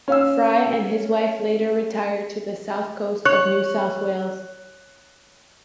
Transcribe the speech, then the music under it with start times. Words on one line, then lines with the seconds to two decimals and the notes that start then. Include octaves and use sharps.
Fry and his wife later retired to the South Coast of New South Wales.
0.08 C#4 F5 E6
3.25 C#5 F#6